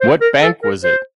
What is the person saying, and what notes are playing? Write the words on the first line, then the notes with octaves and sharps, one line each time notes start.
What bank was it?
C5
A#4
A4
A#4
C5